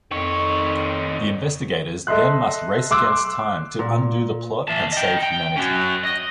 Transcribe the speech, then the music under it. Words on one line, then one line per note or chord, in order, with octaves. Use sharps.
The investigators then must race against time to undo the plot and save humanity.
F2 D#3 C#5
A4 D#5 E5 C6 F#6
C6 D6 E6 F#6
A#2
E3 A5
D#5 G5
G5
C#4 F#4
D#5